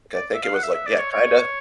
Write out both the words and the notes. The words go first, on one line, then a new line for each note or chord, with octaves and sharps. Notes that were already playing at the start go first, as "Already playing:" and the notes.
I think it was, like yeah, kinda
D5
E5
F5
F#5
E5
E5
D5
C#5
C#5